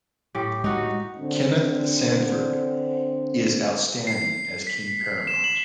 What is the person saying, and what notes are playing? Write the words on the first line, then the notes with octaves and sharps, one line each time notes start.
Kenneth Sandford is outstanding as King Paramount.
A2 G4
G#3 D#4 F#4
D3 C4
C7
B6
E7
F#7